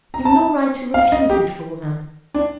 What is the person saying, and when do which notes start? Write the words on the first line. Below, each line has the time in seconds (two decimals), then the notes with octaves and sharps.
You've no right to refuse it for them.
0.14 A#5
0.25 A5
0.94 F5
1.12 D#5
1.30 G4
2.34 D4